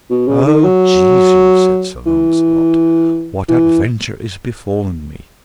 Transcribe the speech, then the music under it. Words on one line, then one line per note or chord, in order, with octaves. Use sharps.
O Jesu, said Sir Launcelot, what adventure is befallen me!
B2
C#3
D#3
F#3
E3
E3